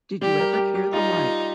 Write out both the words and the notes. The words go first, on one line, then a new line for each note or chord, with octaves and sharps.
Did you ever hear the like?
G3 G4
A#4
G4
G4
D#4 F4
F4